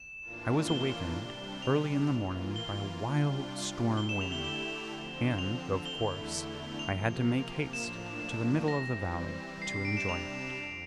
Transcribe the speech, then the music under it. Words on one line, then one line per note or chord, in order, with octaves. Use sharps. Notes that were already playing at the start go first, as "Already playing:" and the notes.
I was awakened early in the morning by a wild storm-wind and of course I had to make haste to the middle of the Valley to enjoy it.
Already playing: E7
A2 E3 A#3 D4 F4
G7
C3 G3 D4
F7
E3 A#3 F4
G7
C3 G3 D4 F4
D3 A3 E4 G4 G7
E7
F7
G7
G7
D3 F3 C4
F7
E2 D3 A3 E4 G7
C3 F3 A#3 F7
A2 F3 A#3 D4 E7
E3 G3 C4 A#6
C3 G3 D4 C7
C7
D7
E7
F7
F2